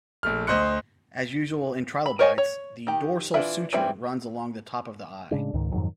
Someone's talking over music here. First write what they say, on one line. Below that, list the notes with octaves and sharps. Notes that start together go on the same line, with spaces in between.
As usual in trilobites, the dorsal suture runs along the top of the eye.
A#1 A3 F6
D2 C5 D#5 C6 F#6 C#7
B5
A#4 C5 C#5 D#5 G#5
C#5
D#3 G4
E3 D4 F4 E5 B5
E3 G3 C4 E5
A2 C#3 G#3 D4
C#2 G#2 D#3
F2 G#2 D#3 F#3